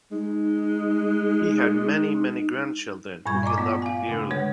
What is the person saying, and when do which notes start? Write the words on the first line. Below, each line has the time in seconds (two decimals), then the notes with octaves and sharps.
He had many, many grandchildren who he loved dearly.
0.12 G#3 D#4
3.26 G2 A#2 G3 C#6 G#6
3.43 D5 D#5 A#5 D6
3.57 A3 B3 F4 F#5
3.82 F5 G#5
4.07 C#3 A3 D4
4.31 D3 G#3 C#5